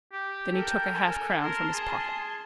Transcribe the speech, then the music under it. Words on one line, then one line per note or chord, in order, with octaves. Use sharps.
Then he took a half-crown from his pocket.
G4
A4 A#4 G5
G#5
A#4 A5 C6
G#4